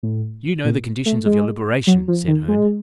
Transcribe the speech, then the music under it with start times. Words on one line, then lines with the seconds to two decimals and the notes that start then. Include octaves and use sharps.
"You know the conditions of your liberation?" said Herne.
0.03 A2
0.65 A#2
1.06 A3
1.26 G#3
1.87 F#3
2.08 F3
2.28 D#3
2.48 G#3